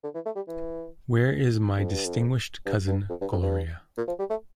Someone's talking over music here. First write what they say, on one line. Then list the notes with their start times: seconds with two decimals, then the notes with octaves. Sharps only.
Where is my distinguished cousin Gloria?
0.03 D3
0.15 E3
0.25 A3
0.36 G3
0.48 E3
1.78 F2
1.91 G2
2.05 F2
2.66 G2
2.87 G2
3.09 F2
3.21 G2
3.32 F2
3.42 G2
3.97 A#2
4.08 F3
4.19 G3
4.30 A3